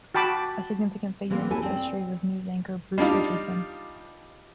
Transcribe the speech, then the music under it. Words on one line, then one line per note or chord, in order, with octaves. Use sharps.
A significant figure in its history was news anchor Bruce Richardson.
F#4 G5 A5 B5 D6
E3 G#3 A#3 C4
E4 G4 A4 G#5
C4 D5
G3 D4 D#4 F4